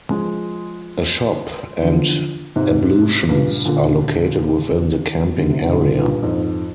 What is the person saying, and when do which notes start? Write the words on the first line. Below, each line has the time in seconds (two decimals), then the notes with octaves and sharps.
A shop, and ablutions are located within the Camping Area.
0.10 F3 G#3
1.82 D3 F3
2.56 G#2 C3
3.29 G2 A#2
3.65 A#2 D3
5.39 D3
5.49 C3 D#3
5.69 C3
5.73 A#2 D3
5.98 G2 A#2
6.23 F2 G#2